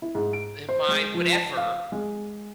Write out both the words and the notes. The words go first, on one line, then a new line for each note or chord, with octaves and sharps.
uh, my" whatever.
E4
G#2
D7
C5
G#3
F3
A5
F5
G#3